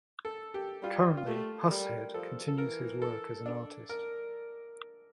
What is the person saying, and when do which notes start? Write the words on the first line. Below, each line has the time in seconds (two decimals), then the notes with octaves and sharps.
Currently, Pushead continues his work as an artist.
0.25 A4
0.54 G4
0.83 G3 F4
1.17 F4
1.27 A3 G4
1.71 G3 A#4
2.14 F3 A4
2.48 A4
2.58 E3 A#4
3.02 A4
3.46 D4
3.89 A#4